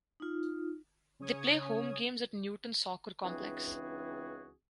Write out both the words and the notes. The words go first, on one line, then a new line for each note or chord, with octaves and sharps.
They play home games at Newton Soccer Complex.
D#4 F4
C#3 C#4 C#5 D#6 G#6
C#2 E3 C4 D4 F#4 G#4